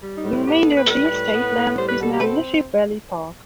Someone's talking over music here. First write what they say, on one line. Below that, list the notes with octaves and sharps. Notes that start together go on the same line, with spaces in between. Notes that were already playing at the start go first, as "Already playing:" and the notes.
The remainder of the estate land is now Liffey Valley Park.
G3
D#4
A2
E4
B3 G4
A4
A2
B4
A4
G3 B4
A2
B3
A2
G3 C5
B4
B2 A4
G4
B4
C4 A4